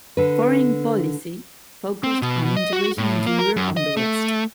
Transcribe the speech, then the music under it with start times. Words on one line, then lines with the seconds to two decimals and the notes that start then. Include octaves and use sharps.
Foreign policy focused on integration into Europe and the West.
0.17 D3 B4
2.04 C4
2.22 B2
2.57 D#5
2.73 F#4
2.98 A2
3.26 A#3
3.39 A#4
3.56 F#2
3.77 D#5
3.97 A3